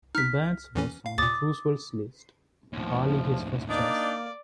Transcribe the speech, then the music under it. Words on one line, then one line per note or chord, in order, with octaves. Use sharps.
Byrnes was on Roosevelt's list but hardly his first choice.
D#4 F6 B6
E2 E3 C#4
F5
D#2 A#2 D6 D#6 A6
D#2 A2 F3
A#3 D4 D#4 D5